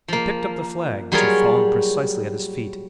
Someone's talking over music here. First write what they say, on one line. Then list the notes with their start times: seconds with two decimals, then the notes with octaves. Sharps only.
He picked up the flag, which had fallen precisely at his feet.
0.08 F3 A#3
1.12 F#3 G3 F4 G#4 A#4 C#5